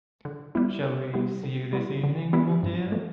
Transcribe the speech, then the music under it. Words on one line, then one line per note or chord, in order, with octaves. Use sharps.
Shall we see you this evening, mon dear?
D3
G3 B3 E4
D3
G3 B3 E4
D3
G3 B3 E4
D3
G3 B3 E4
G2
E3 A3